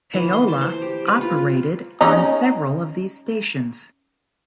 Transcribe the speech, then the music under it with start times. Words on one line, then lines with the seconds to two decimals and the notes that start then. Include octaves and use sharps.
Payola operated on several of these stations.
0.14 E3
0.33 C6
0.48 A5
0.61 C5
0.82 G4
1.07 B4
1.21 F4
2.01 C#4 D#4